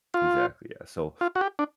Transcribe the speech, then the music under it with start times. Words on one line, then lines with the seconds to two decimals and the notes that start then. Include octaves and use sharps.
Exactly, yeah, so
0.14 F4
1.21 F4
1.35 F#4
1.41 G4
1.59 D4